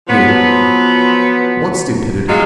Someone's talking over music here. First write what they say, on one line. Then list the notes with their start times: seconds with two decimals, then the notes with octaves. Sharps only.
ME: What stupidity?
0.07 F3 F#3 B3
2.28 F#3 G#3 F4